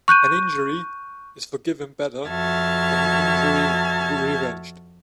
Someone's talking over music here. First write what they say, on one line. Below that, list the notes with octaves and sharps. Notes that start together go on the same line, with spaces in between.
An injury is forgiven better than an injury revenged.
C#6 F#6 G6 D#7
F2 F#4 E5 A5 F6 G#6